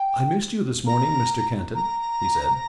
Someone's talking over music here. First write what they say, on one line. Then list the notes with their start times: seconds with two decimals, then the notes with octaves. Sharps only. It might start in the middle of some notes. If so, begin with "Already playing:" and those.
"I missed you this morning, Mr. Kenton," he said.
Already playing: G5
0.87 A#5
1.75 A#5